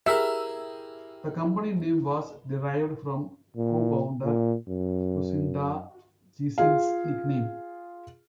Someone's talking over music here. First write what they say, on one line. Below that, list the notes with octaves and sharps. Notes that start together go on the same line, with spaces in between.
The company name was derived from co-founder Lucinda Ziesings' nickname.
E4 G4 G#4 A#4 E5 E6
A#2
A#2
F#2
F4 G#4 F5